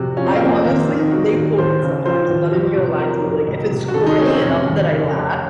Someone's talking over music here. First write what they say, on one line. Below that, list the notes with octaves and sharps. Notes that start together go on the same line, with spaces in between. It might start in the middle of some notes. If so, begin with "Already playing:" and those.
I, honestly they pull me sometimes. I'm not even gonna lie to you. Like, if it's corny enough that I laugh,
Already playing: F2 C3 F#4
F3 C#4
C4
A#3
F2 C4
D#2 A#3
C4
D#3
D#4
F#3 F#4
D#2
D#2 C5
C#3
F3 C5
D#2
F2
C3
F#3 A#4
F2
C#2
C3
F#4
D#3 A4
D#4
F#3 C#4
C4
C#4
F1 C#4
D#2
C#3
F1